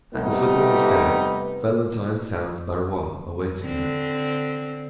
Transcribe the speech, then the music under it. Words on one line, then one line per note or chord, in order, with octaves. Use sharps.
At the foot of the stairs, Valentine found Barrois awaiting her.
C3 G3 A3 B3 D#4 B4
D3 C4